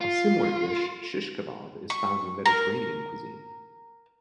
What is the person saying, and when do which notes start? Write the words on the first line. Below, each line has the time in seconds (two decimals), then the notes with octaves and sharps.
A similar dish, shish kebab is found in Mediterranean cuisine.
0.01 F4
1.90 C#6
2.45 A#4